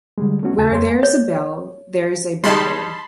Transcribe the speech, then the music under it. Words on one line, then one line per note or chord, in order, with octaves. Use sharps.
Where there is a bell, there is a battle.
D3 G3 G#3
A3 B3 C#4 F#4
D#2 C#3 G#5 A5 A6
F2 G#3 C#5 G#5 C6
C#5
G3 G#3 D#4 A5 B5 C6